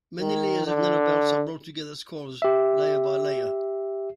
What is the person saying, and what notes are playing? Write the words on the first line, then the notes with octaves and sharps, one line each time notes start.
Many layers of nanobelts are rolled together as coils, layer-by-layer.
D#3
D3
G4 E5